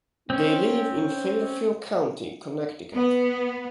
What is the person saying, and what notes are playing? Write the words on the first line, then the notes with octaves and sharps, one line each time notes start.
They live in Fairfield County, Connecticut.
C4 C#4
B3